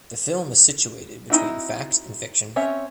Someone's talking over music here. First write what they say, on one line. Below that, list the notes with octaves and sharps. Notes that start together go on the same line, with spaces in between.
The film is situated between fact and fiction.
C4 D#4 E4 F#4
C4 C#4 C#5 E5